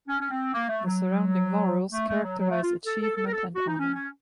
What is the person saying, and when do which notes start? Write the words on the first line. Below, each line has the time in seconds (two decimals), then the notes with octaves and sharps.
The surrounding laurels characterize achievement and honor.
0.08 C#4
0.20 C#4
0.30 C4
0.54 A#3
0.69 A3
0.85 F#3
1.92 A3
2.08 A3
2.24 F#3
2.39 F#3
2.50 A3
2.62 F4
2.86 A4
3.02 A4
3.16 A4
3.26 A#4
3.32 A4
3.55 F#4
3.68 D#4
3.79 C#4
3.94 C#4